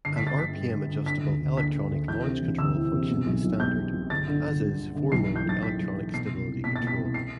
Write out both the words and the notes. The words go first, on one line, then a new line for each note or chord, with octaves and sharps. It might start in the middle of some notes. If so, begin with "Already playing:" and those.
An rpm-adjustable electronic launch-control function is standard, as is four-mode electronic stability control.
G1 C7
B6
D3
A6
G1 B6
G2
G1
D3
D3 B6
D2
D2
D3 B6
D3
D2
E3 G6
C3
E1
D2 E6
E3
C3
B2
B1
B1
B2 G6
B2
B1
G1 A6
D3
G1
G2
G1
D3
B1 C7
E3
G6
B1 A6
A2 B6
B1
E3
B2 C7
C2
C2
B2 B6
A6
B2
B6
C2
C7